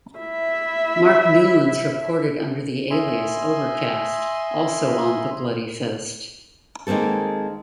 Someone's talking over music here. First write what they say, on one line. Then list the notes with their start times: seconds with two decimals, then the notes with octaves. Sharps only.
Mark Newlands recorded under the alias Overcast, also on the Bloody Fist.
0.19 E4 E5
2.91 D#5 E5 G#5 B5 C6
6.87 D#3 G#3 A#3 C4 A4